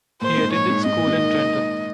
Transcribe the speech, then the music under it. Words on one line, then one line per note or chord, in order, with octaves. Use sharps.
He attended school in Trenton.
A#2 C5
G#2
A#2 C#5
G#2
G#2 D#5
A#2
G#2
D#3